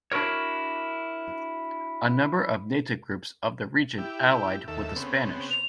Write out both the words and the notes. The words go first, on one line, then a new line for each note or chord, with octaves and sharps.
A number of native groups of the region allied with the Spanish.
D4 E4 F#4 A#4 C#5
E4 G4
D#2 A4 E5
C#3 B3 C4
F7